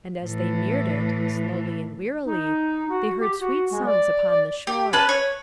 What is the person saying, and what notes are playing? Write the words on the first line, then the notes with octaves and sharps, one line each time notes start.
And as they neared it, slowly and wearily, they heard sweet songs upon the shore.
A2 E3
D#4
F#4
G4
F#4
G#3
D5
D5
G4
C#4 B4 A5 F#6
C#5